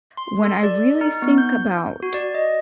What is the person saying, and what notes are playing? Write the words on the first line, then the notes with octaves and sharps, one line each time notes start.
when I really think about
C6
A4
D5
D#4
B3
G6
F#4
D5
D#5